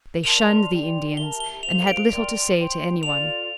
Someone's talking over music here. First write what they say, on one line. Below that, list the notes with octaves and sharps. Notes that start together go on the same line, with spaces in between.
They shunned the Indians and had little to say to any one.
A#4 D5 A5 C6 F7
G4 D5 G5 C6
G4 A#4 E5 A5 G7
G7
F4 A4 C5 F5 F7
D7
A#4 D5 G5 C6
C5 G5 C6
F4 A4 D5 F5 F7